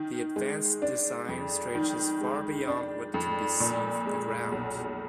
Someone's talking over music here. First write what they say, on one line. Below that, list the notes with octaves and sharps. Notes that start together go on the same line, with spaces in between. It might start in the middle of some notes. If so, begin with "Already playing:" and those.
The advanced design stretches far beyond what can be seen from the ground.
Already playing: D#3
G#3
D4
F2
D#3
G#3
D4
F2
A#2
G#3
B1